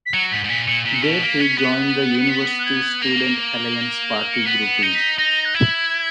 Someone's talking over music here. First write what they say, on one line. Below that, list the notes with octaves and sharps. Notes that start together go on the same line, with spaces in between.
There he joined the university's student Alliance Party grouping.
B6
F#3 C#7
G#2 B6
G#2
A#2 B6
A#2 C#7
A#2 B6
C#7
B2 B6
A#3
C#4
B3
C#7
B6
F#6
G#6
A#3
C#7
B3 B6
C#7
D#4
B6
D#4 A#6
F#6
E4 G#6